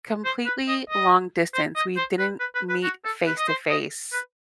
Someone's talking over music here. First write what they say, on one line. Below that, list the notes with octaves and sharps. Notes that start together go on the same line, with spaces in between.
completely long distance. We didn't meet face to face,
C5
B4
D#5
D#5
C5
D#5
C5
B4
B4
B4
B4
F#4
A4
B4
D#5
C5
D#5
B4